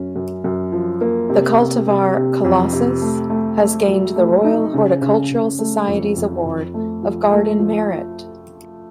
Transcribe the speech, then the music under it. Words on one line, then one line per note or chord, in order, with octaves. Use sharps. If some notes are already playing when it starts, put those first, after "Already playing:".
The cultivar 'Colossus' has gained the Royal Horticultural Society's Award of Garden Merit.
Already playing: F#2 C#4
F#2
F#2
F3
A#3
C3
C3
C3
C3
F2
C3
A3
A3
A3
F#3
A3
D#4
C#3
C#3
C#3
A3
F2
F2
F2
A3
F3
A3
F3